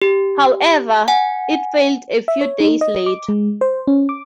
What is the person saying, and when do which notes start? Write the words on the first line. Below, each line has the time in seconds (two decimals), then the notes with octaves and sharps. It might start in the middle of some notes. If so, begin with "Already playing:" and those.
However, it failed a few days later.
0.02 G4
1.08 F#5 G#5
2.28 E5
2.41 C#5
2.60 D#4
2.81 D#5
3.06 D6
3.29 G#3
3.61 C5
3.87 C#4
4.09 D6